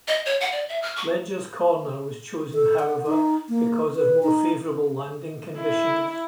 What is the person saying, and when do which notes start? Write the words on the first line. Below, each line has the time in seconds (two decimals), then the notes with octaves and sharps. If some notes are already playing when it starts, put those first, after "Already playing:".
Leger's Corner was chosen however because of more favourable landing conditions.
0.08 D#5
0.26 C#5
0.41 F#5
0.52 D5
0.69 E5
0.82 F6
0.96 C#6
2.54 A4
2.79 F#5
3.07 D#4
3.49 A#3
3.95 B4
4.23 D#4
5.58 E4